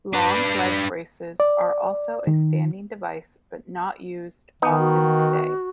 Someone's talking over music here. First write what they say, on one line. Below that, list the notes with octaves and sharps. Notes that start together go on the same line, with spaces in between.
Long leg braces are also a standing device but not used often today.
D4 B4
D5
D#3
D#3 B3 D#4
F#4